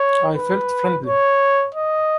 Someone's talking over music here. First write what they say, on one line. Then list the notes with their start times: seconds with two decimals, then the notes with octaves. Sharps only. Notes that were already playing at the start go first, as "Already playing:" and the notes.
I felt friendly.
Already playing: C#5
0.37 B4
1.06 C#5
1.74 D#5